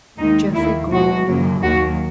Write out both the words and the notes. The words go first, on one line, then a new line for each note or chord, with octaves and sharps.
Jeffrey groaned aloud.
D#2 D#3 G#3 D#4
D#2 D#3 A#3 E4
B2 G#3 F#4
F#2 C#3 F#3 A#3
D#2 D#3 F#3 A#3 F#4